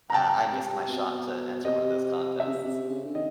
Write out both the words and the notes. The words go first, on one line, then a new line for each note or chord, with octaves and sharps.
uh, I missed my shot to enter one of those contests.
A#5
G5 A5
C3
B2
C3 D#5
C3 E5
C#3
C3
C3
C#3
D3
D#3 D#5